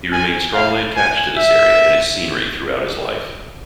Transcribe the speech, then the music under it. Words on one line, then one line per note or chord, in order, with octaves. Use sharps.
He remained strongly attached to this area and its scenery throughout his life.
G#5
F5
G#5
E5